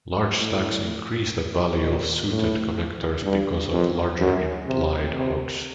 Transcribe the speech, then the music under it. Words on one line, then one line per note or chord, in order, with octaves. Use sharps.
Large stacks increase the value of suited connectors because of larger implied odds.
A2
A#2
A2
G2
F2
F#2
C3
C3